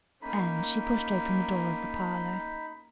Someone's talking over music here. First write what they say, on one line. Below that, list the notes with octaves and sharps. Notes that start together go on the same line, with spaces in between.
And she pushed open the door of the parlour.
A#3 C#4 D#4 B5